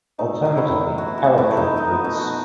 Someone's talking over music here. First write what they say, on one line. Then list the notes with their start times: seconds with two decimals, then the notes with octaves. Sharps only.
Alternatively, "paratrooper boots".
0.19 A3 D#4
0.45 A2
0.57 E4
0.72 F#3
0.98 B2 F#4
1.18 F#4
1.24 A3
1.38 E4
1.51 A3
1.57 D#4
1.77 B3 D#4
2.04 B2
2.17 F#4